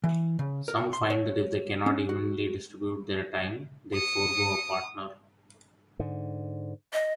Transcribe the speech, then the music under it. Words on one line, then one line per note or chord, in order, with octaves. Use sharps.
Some find that if they cannot evenly distribute their time, they forego a partner.
E3
C#3
A#4
C6
C#5
C#4
F#4
D#6 C#7
G#2 D3
D#5